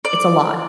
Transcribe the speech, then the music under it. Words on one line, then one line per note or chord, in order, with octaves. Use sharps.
it's a lot.
D5